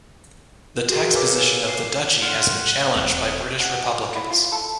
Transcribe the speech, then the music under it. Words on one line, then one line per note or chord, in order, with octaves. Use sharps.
The tax position of the duchy has been challenged by British republicans.
F#4 G#4 A#4
A#4 B4 C#5 F5 G#5 D6
C7
F4 F#5
D#1 E2 C4
F#5
E4
F4
A4